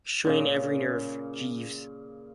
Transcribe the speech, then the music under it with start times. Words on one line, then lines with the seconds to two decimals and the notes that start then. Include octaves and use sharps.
Strain every nerve, Jeeves.
0.25 A#2 C#3 F5